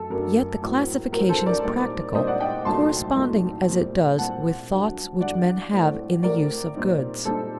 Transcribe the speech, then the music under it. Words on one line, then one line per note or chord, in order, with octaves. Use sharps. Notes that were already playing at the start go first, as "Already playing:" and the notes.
Yet the classification is practical, corresponding as it does with thoughts which men have in the use of goods.
Already playing: F#2 F#3 A3 A4
F#2 F#3 A3 D4 A#4
A2 F#3 C4
A2 F#3 C4 A#4
A4 C5
A#4 D5
A#2 G3 C4 D#4
A#2 G3 C4 D#4 C5 D#5
D5 F#5
D#5 G5
C2 A#2 F#3 A3 D#4 A5 C6
C2 A#2 F#3 A3 D#4
A#2 G3 C4
A#2 G3 C4 F#5 A5
G2 D3 F#3
G2 D3 F#3 D5 F#5
A2 A3 C4
A2 A3 C4 A#4 D5
A#2 G3 C4 D#4
A#2 G3 C4 D#4 A4 C5